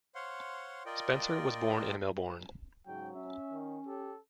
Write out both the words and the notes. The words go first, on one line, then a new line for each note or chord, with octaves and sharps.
Spencer was born in Melbourne.
C5 C#5 F5 F#5 C6
F4 A#4 D5 D#5 G5
G#2 C#3 F#3 G5
C#4 E5
D#3
G4 A4